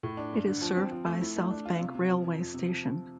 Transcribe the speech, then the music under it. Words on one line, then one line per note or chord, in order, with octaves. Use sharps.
It is served by South Bank railway station.
A2
D4
G2
D3
F3
C4
F3
A3
E4
A3
D4
F4
C3
C3
F3
F3
F2
C3
F3
F3